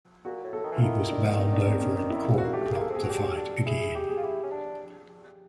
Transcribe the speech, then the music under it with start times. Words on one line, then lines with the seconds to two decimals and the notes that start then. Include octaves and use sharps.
He was bound over in court not to fight again.
0.25 A#2 F#4
0.44 A2
0.53 A4
0.63 D#3
0.72 E3
0.76 F4
0.82 D#3 E4
1.10 D4
1.25 D#4
1.39 D#4
1.53 D4
1.67 C4
1.81 C#4
1.95 D#3 D4
2.10 E4
2.15 D#3
2.33 F3 F#4
2.44 A#3
2.53 A3 G4
2.67 A#3 G#4
2.81 A4
2.90 C4
2.95 G#4
3.03 F#4
3.09 C#4 G4
3.17 D4
3.23 C#4
3.37 D4
3.66 E4 G#4
3.80 G#4
3.95 G4
4.09 G#4
4.17 F4
4.23 E4 G4
4.43 C#4
4.51 D4